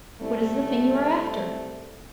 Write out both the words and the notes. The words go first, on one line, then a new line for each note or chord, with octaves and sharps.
What is the thing you are after?
C2 A3